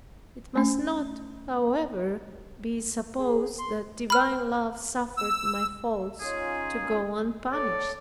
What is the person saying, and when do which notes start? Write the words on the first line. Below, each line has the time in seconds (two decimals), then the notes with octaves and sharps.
It must not, however, be supposed that divine love suffered my faults to go unpunished.
0.56 A3 C#4
3.18 G#4
3.58 C6
4.10 B5 F6
5.17 E6
6.20 C#4 D#4 F4 G#4
7.52 A4 C#5 D5